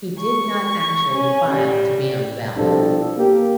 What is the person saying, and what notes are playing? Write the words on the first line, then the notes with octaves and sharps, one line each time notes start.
He did not actually file to be on the ballot.
C#6
C#4
G3
C2 B2 F3 D4 G4 A4
A#3 G4